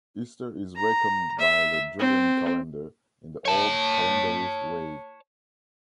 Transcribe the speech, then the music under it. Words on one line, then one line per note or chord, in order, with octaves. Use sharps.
Easter is reckoned by the Julian Calendar in the Old Calendarist way.
A#5
E5
C4
C#5 A5